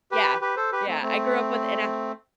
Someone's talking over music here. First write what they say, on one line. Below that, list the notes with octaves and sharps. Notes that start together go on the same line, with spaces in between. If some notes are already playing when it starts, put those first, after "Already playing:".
yeah, yeah, I grew up with and I
G4 B4
G4 B4
A4 C5
G4 B4
A3 C4
A3 C4